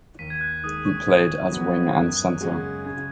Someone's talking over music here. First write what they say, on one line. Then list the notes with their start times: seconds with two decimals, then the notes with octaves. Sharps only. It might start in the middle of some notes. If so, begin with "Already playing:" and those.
He played as wing and centre.
0.19 D#2 B6 D#7
0.30 G#6
0.41 F#6
0.63 D#3 G#3 D#6
0.85 C#6
1.07 A#2
1.52 F#3 B3 F#4
1.97 F#2 F#6
2.41 C#3 G#3 C#4 F#4
2.85 C#3 G#6